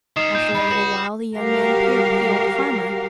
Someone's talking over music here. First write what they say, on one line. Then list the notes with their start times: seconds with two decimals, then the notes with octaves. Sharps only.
After a little while the young man appeared with the old farmer.
0.17 D#3 G3 D#4 D#6 C7 E7
0.35 A#2 G6
0.54 E2 G2 B5
0.71 C#2 F#4
1.37 G3 F#4 G4 A#4 F5